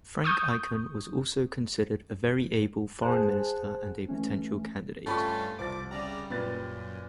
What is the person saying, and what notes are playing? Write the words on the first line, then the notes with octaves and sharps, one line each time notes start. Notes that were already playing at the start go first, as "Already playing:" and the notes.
Frank Aiken was also considered a very able Foreign Minister and a potential candidate.
C#6 D#6 G6
G#4 C5 F#5 G#5 A5 F#6
E3 A3 C#4
G2 A3 C#4 F4 G5 B5 C#6
C2 F3 D6 A6
C#3 G3 D5 A#5
F#2 A#2 B4 A6